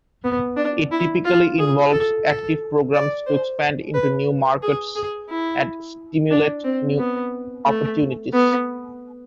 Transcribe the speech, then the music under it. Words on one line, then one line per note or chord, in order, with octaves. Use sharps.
It typically involves active programs to expand into new markets and stimulate new opportunities.
B3
D4
E4
F4
G#4
A4
A4
D5
C5
B4
G#4
G#4
E4
D4
C4
B3
A3
B3